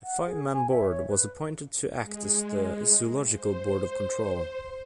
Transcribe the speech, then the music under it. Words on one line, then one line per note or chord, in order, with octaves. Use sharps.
A five-man board was appointed to act as the Zoological Board of Control.
F#5
G#4
G#5
E5
C#5
B4
G#3
C5